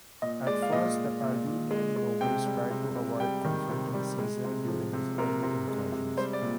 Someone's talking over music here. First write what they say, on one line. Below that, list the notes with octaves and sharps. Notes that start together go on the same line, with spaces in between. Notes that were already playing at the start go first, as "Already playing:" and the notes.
At first the Arvenian nobles tried to avoid confronting Caesar during his early incursions.
A#2 D#5
G#3 D5
F5
A#2 D#5
A#2
A#2
A#2
G#3
G#3
C3 G5
G3
C3
C3
G3 G5
D#3
C3
G3
G#3
C3
F3
C3
C3 A#4
C3
G#3
C3
G3 C5
D5
A#2